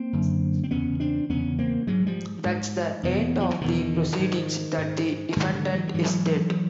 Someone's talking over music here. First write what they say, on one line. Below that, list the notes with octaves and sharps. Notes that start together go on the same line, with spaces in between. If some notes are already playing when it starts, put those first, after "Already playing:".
That's the end of the proceedings, that the defendant is dead.
Already playing: A#3 C4
F#2 D3
C4
E2 C#3 B3 C#4
C4 D4
E2 C#3 B3 C#4
A#3 C4
G#2 F#3 G#3
F3 G3
G#2
E2 B2
F3
E3
E2 B2 D#3
G#2
G#2
G#2 D#3
D3
E3 F#3
G3
G#2 E3 F#3